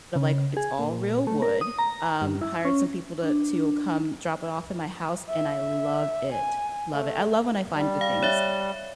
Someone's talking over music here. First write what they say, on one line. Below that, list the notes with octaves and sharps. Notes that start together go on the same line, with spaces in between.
of, like it's all real wood, um, hired some people to to come drop it off at my house and I love it. Love it, I love when I find good things.
C#3
G#4
A#2
A3
A#4
D#6
A#5
G2
E4
C#4
D4
E5
G#5
A3
G3
F5
C#5 E5